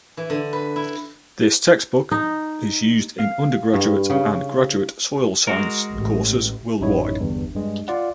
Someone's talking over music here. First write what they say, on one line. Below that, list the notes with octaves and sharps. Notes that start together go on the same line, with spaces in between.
This textbook is used in undergraduate and graduate soil science courses worldwide.
E3
D3
B4
E4
D#4
F5
G2
C#3
G#3 F#4 A#4
A1
A1 F#2 D#4 E4 C#5
G1 E2 G2
G2 G#3
F4 D5 F#5